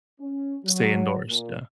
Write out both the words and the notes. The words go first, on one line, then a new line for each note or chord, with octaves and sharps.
Stay indoors, yeah,
C#4
F#3
A#2